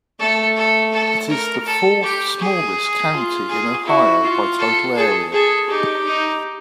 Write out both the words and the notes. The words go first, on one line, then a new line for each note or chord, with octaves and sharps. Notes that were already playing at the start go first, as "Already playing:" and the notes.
It is the fourth-smallest county in Ohio by total area.
A3 A4
A4
A4
A#4
A4
G4
G#4
F4
G#4
E4 F#4
F4
A4
G#4 A4
G#4 A4
D#4 G4
D#4